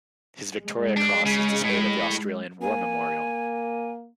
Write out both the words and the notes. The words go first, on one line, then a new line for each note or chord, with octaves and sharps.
His Victoria Cross is displayed at the Australian War Memorial.
G#3
D4
C#3
A2
A#3 G#5